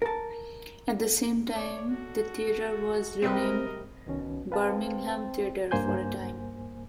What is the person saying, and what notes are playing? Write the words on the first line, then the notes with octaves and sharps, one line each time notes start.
At the same time, the theatre was renamed 'Birmingham Theatre' for a time.
A#4 A5
C#5 D5
F#4 A4
C3 G3 C4 A#4 B4 D#5
C2 B2 D#3 C#4
C4 B4 F5 A5
C#2 G2 A#3 C5 G#5 G6